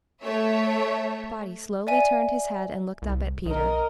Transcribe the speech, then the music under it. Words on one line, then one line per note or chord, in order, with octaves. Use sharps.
Spotty slowly turned his head and looked up at Peter.
A3 C#5 E5
D5 E5 G#5 D#7
C2
B1 A#4 D#5